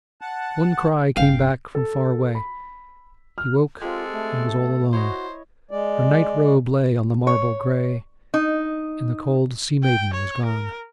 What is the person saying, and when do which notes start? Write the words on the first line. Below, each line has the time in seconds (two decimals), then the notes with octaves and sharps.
One cry came back from far away: He woke, and was all alone. Her night robe lay on the marble grey, And the cold sea-maiden was gone.
0.21 F#5 A5
1.17 G1 C#4 F5 G5
1.75 A4
2.35 B5
3.38 F6
3.82 G#3 C4 F4 G4 A4
4.12 A3
4.93 E4 F#4 C5 C#5 D#5
5.71 G#3 D5
7.27 C#5
8.34 D#4
9.84 G5
10.13 C#5
10.45 A#4